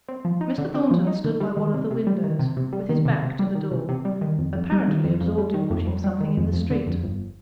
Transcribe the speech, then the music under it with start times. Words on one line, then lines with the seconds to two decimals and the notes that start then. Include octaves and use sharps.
Mr. Thornton stood by one of the windows, with his back to the door, apparently absorbed in watching something in the street.
0.08 C4
0.25 F3
0.41 D#4
0.58 D3
0.74 C4
0.91 F3
1.07 D#4
1.24 D3
1.40 G3
1.57 D#3
1.74 C3
1.91 C3
2.07 G3
2.24 D#3
2.39 C3
2.57 C3
2.73 G3
2.89 D#3
3.05 C3
3.23 C3
3.39 G3
3.55 D#3
3.72 C3
3.89 C3
4.05 G3
4.21 D#3
4.38 F2
4.55 F2
4.72 G3
4.88 D#3
5.04 F2
5.21 F2
5.38 G3
5.54 D#3
5.70 F2
5.87 F2
6.04 G3
6.21 D#3
6.37 F2
6.53 F2
6.70 D3
6.87 F2
7.03 G1